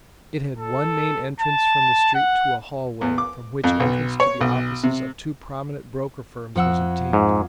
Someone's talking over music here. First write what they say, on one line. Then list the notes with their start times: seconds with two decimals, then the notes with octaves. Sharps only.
It had one main entrance from the street to a hallway, from which entrance to the offices of two prominent broker firms was obtained.
0.58 A4
1.40 A5
2.15 F#5
3.01 E2
3.18 D6
3.64 F2
3.80 B1
4.20 C#5
4.41 B1
4.83 C3
6.55 F2 F#5 E6
7.13 G#2